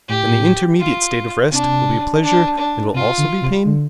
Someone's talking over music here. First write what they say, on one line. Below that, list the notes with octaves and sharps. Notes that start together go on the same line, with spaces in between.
Then the intermediate state of rest will be pleasure and will also be pain?
A2 G4
F4
C3 D4
D4
D4
C3 F4
D3
C3
D3